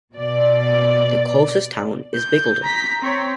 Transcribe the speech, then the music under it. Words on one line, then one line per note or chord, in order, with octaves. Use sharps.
The closest town is Bickleton.
B2 D5
G6
A#5 B6
C4 C#5